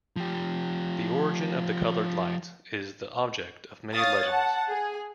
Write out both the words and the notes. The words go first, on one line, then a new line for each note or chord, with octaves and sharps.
The origin of the colored lights is the object of many legends.
F3 G4
C#5 F5 D#6 A6
F#5 A5
G#4